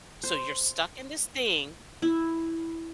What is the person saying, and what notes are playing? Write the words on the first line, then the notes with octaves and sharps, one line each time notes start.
So you're stuck in this thing
C5
E4